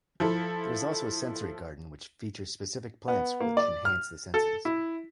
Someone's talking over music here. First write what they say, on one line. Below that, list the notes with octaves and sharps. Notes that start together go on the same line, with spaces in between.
There is also a sensory garden which features specific plants which enhance the senses.
F3 E4 A4
B3
A#3
D5
F6
A4
E4